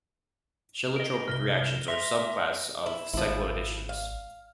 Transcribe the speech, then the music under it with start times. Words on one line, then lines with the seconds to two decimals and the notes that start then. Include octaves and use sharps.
Cheletropic reactions are a subclass of cycloadditions.
0.96 A#4 D#5
1.28 C2 G2 F6 A#6 G7
1.88 E5 C6 A#6 F7
2.86 E4
3.13 G#1 F3 E4
3.89 F5